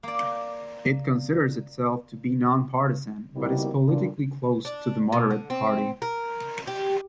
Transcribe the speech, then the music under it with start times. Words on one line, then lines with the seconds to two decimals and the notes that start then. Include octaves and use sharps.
It considers itself to be non-partisan, but is politically close to the Moderate Party.
0.03 A#3 D5
3.36 B2 D#3 G3 A#3 C4 E4
3.86 G2 A#2 D3
4.65 D4
5.12 B2
5.31 D3
5.50 C4
6.02 A#4
6.67 G4